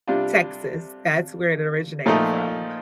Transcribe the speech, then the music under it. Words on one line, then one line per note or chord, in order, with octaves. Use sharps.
Texas, that's where it originated from.
C3 G3 D4 F4
A#2 F3 A3 D#4